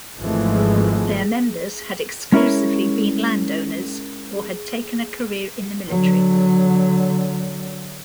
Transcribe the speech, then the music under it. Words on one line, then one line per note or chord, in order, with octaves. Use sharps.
Their members had exclusively been landowners or had taken a career in the military.
G#1 E3 F3 G#3 A3
G#3 C#4 E4 A#4 C#5
D3 F#3